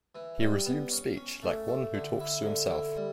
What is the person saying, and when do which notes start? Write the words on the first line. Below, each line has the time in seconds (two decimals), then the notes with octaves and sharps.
He resumed speech like one who talks to himself.
0.15 E3
0.40 G3
0.66 B3
0.91 C#4
1.17 C#4
1.43 A3
1.68 A3
1.94 D3
2.20 E4
2.45 D3
2.71 E4
2.96 G3